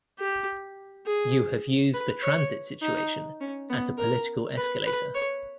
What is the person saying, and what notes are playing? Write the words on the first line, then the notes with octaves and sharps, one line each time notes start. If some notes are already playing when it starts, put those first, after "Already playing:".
You have used the transit situation as a political escalator.
G4
G#4
B4
C#5
D#4
C#4
B3
A#4
B4
B4
C#5